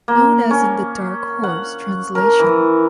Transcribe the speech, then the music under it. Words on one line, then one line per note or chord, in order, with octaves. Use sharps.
Known as in the Dark Horse translation.
A#3
C#4
F#5
A#4
E3